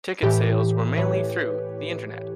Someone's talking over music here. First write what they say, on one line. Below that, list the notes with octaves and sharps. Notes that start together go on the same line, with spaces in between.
Ticket sales were mainly through the Internet.
A2 E3 G4
A2 E3 B4 C#5